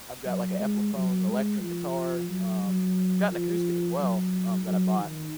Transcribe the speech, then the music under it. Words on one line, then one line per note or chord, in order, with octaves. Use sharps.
I've got like an Epiphone electric guitar. Um, I've got an acoustic as well, um, that I bought,
F#3
G#3
F#3
G#3
F3
F#3
F#3
F3
F#3
F#3
D#3